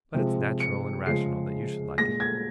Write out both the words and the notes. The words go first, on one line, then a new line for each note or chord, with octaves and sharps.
But it's natural and rational that you should like it.
C3 F3 G#3
C#7
C#3 F3 G#3 C7
A#2 G#3 A#6
G#6